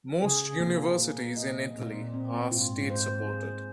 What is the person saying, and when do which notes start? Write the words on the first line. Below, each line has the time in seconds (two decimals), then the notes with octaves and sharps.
Most universities in Italy are state-supported.
0.21 C#3 G#4
0.60 C3 A#3
0.98 A#2 A#3
1.37 D#5
1.75 A#2 C4
2.14 C4
2.51 G#2 F4
2.90 C5
3.28 G#4